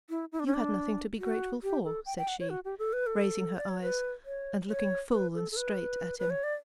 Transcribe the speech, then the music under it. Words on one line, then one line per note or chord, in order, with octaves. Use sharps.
'You had nothing to be grateful for,' said she, raising her eyes, and looking full and straight at him.
E4
E4
D4
C#4
D4
F#4
G4
A4
G5
G5
F#5
C#5
F#4
G4
A4
B4
A4
D5
C#5
B4
C#5
C#5
B4
A4
A4
B4
B4
C#5
D5